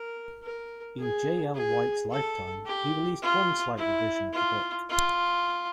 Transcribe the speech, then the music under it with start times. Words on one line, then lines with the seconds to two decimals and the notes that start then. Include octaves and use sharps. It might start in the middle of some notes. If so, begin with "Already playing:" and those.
In J. L. White's lifetime, he released one slight revision of the book.
Already playing: A#4
0.43 A#4
0.99 G#4
1.55 G#4
2.10 A4
2.66 G4
3.22 F4
3.77 E4
4.33 F4
4.89 F4